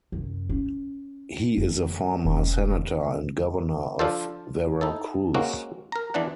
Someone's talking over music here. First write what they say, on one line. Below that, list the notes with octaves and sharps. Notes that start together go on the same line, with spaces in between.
He is a former senator and governor of Veracruz.
F#2 C3
C#4
F2 F#3
E1 C#4
F3 D4 F4 A4 C5
D#4 E4 A4
G#3 A#3 C4 C#4 F#4
A#4 A#5
E2 E3 B3 D4 D5 F#5